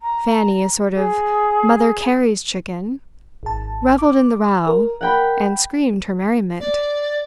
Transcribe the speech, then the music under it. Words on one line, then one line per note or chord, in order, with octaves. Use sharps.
Fanny, a sort of Mother Cary's chicken, revelled in the row, and screamed her merriment.
A#5
G#4
G#1 A5
D6
A#4
F#5 G5 B5
D5